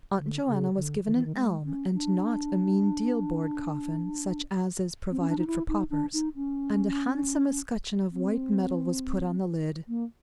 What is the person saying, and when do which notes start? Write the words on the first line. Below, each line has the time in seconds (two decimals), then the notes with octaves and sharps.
Aunt Joanna was given an elm, and not a mean deal board coffin, such as is provided for paupers; and a handsome escutcheon of white metal was put on the lid.
0.18 D3
0.47 C#3
0.76 D3
1.05 D#3
1.14 E3
1.25 D#3
1.36 G#3
1.65 C#4
1.94 D4
5.11 C4
5.20 C#4
5.29 D4
5.38 D#4
5.47 E4
5.68 D#4
5.90 D4
6.13 D#4
6.36 C#4
8.11 C4
9.88 A#3